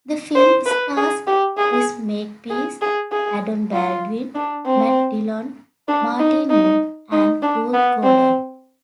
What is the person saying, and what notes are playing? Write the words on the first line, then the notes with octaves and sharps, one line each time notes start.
The film stars Chris Makepeace, Adam Baldwin, Matt Dillon, Martin Mull, and Ruth Gordon.
C5
B4
G#4
G4
G#4
G#4
G#4
G#4
F4
D4
C4
D4
D#4
D#4
D#4
D4
B3
C4